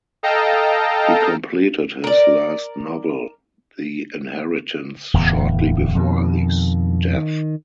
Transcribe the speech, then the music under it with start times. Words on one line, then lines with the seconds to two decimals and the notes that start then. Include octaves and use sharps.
He completed his last novel, "The Inheritance", shortly before his death.
0.23 A4 D#5 F5 G5 A5 A#5
2.04 A#4 D5
5.14 D1 E2
5.95 F2 B2 D#3
7.17 D#3